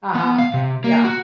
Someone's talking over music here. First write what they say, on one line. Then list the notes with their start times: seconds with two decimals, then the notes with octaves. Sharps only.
Uh-huh, yeah.
0.15 B3
0.38 F5
0.54 C3
0.84 A#3
1.05 F#4